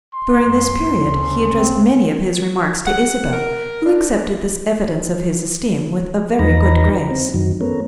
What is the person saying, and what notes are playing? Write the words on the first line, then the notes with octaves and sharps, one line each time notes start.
During this period he addressed many of his remarks to Isabel, who accepted this evidence of his esteem with a very good grace.
C6
F#2
D2 C#3
C4
F#5
A#4
D4
E2 D#4 B4 A#5
C4
F#2 D#3 F#3
A3 B3 C#4 A#4